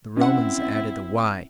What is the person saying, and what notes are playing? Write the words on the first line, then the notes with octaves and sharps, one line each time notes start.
The Romans added the y.
C4 C#4 E4 F#5